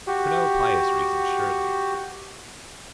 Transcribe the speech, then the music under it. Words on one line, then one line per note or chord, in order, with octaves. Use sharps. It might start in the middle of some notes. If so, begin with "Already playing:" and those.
For no pious reason, surely.
F#4 G4